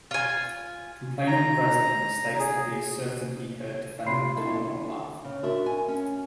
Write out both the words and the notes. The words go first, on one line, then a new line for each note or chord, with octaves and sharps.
Complainant Breslin states that he is certain he heard Defendant Condon laugh.
F4 G#5
A#5
G#4
C3 F4 B5 C6 C7
D4 E4 A4
C#3
D4 F#4 A#4 E5 C#6
G#5
C#4